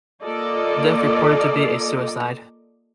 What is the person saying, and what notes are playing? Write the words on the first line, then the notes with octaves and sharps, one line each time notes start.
The death reported to be a suicide.
A#3 F4 A4 D5 D#5